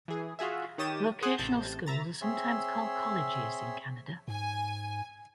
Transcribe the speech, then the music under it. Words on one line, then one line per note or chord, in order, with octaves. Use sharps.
Vocational schools are sometimes called "colleges" in Canada.
E3 G#4
F4 F#4 G#4 E5
D#3 G4 C#5 D#6 A6 E7
G#4 C5 F#5 D#6
A1 C3 A5 G6
E5 A#5 A6
C4 G#4 C#5 E5 C6 E6
G#2 G#5